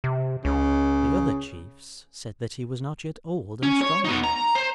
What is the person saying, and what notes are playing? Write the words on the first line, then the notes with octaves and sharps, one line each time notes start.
The other chiefs said that he was not yet old and strong enough.
C3
C#2 C#3
C#4
C#5
B3 D#4
A#5
C5